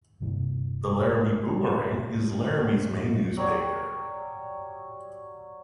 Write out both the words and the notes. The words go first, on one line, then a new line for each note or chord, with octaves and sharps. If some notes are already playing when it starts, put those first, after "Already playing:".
The "Laramie Boomerang" is Laramie's main newspaper.
D#1 G2 C3 E3
F#3 G3 C#5 D5